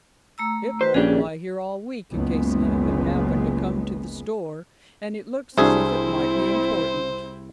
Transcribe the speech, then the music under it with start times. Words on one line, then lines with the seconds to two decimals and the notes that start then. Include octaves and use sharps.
"It might lie here all week in case none of them happened to come to the store, and it looks as if it might be important."
0.38 A3 A#5 E6
0.81 F#4 B4 C5
0.94 A#1 C#4 D4 G4 G#4
2.11 F#1 C#2 G#3 B3
5.58 C2 C4 D4 E4 F#4 G#4 C5 E5